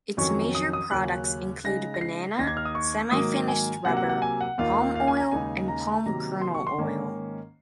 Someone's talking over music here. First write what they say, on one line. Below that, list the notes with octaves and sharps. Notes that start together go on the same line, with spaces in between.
Its major products include banana, semi-finished rubber, palm oil and palm kernel oil.
F2 D#3 F#3 C#4 C#6
D#6
D#6
D#2 C#3 F#3 C#4 F#6
C#3 G#3 D#4 A#6
A#6
C7
D#2 D#3 A#3 D#4 A#6
G#6
F6
D#6
C#6
G#2 D#3 F#3 A#3 D#6
G#5
C3 F#3 A#3 F#5
F#5
F#5
G#5
F#5
D#2 D#3 A#3 F4 F5
F5
G#5
A#5
D#2 C#3 G#3 D#4 G#5
A#5
C3 D#3 F#3 A#3 A#5
C6
C#6
C6
G#2 D#3 A#3 C#4